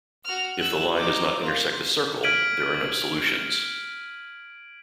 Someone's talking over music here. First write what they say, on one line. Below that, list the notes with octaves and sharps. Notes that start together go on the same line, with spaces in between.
If the line does not intersect the circle, there are no solutions.
F#4 F6
E6 F#6
D#4 D6
A#3 F4
F6 G#6 B6 D7 D#7 F#7